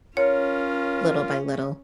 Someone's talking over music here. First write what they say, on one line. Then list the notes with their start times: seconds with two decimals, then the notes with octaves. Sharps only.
little by little.
0.17 C#4 F4 A#4 C#5